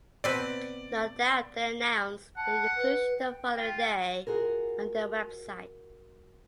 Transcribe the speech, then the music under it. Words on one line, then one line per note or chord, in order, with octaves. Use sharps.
No Doubt then announced their inclusion the following day on their website.
B2 C4 B4 D5
F#5 A5
B4
G5
F4
F4 F#4 G#4 A#4